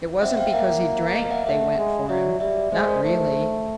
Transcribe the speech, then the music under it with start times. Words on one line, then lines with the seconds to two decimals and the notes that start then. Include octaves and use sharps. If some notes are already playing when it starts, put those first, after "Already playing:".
It wasn't because he drank they went for him; not really.
0.22 C4 E5 F#5
0.37 F5 G5
0.53 A#3 E5 F#5
1.15 D#5 F5
1.31 E5 F#5
1.47 A3 E5 F#5
1.78 G#3
2.09 F#3 D5 E5
2.40 G3 D5 E5
2.72 G#3 C5 D5
2.88 A#4 C5
3.04 A3